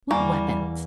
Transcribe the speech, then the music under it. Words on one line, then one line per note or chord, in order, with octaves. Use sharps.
"What weapons?"
E2 E3 G3 A#3 F#5 G#5 C#6